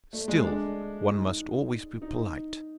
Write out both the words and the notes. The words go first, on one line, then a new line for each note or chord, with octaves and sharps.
Still one must always be polite.
A3
G#3
D4
D#4
D#4